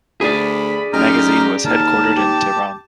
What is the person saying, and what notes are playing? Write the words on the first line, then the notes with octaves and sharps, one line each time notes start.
The magazine was headquartered in Tehran.
D2 G#4 D5 B5
F#2 D#4 G4 A#5 F6
D#2 A#4 A5
G4